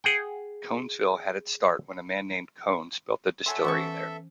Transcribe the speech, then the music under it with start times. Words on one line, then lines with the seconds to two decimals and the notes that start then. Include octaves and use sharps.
Conesville had its start when a man named Cones built a distillery there.
0.04 G#4 F#5 G5
3.46 F#3 A4 E5 G#5 C6
3.64 E3 B3 C#4 C5 G#5 C#6